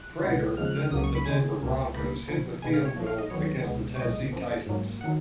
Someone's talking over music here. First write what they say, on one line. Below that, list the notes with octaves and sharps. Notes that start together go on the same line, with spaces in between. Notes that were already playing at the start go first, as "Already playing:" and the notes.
Prater, then with the Denver Broncos, hit the field goal against the Tennessee Titans.
Already playing: F#6
C#2 B2 G#3 B3
D#2 C#3 F3 G#3 F6
F#6
F6
C#2 C#3 F#3 A#3 D#6
C#6
B5
D#2 C#3 G#3 G#5
C#2 B2 A#3
C#2 B2 A#3 B5
B1 A#2 F3
B1 B2 G#3 B3 G#5
F5
C#5
A#1 A#2 F3
F5
D#5
D#2 D#3 F#3 B3 C#5
C#2 B2 G#3 B3
C#5
B1 A#2 G#3 D#5
F#2 F3 A#3
G#2 F#3 A#3
D#3 F#3 F#5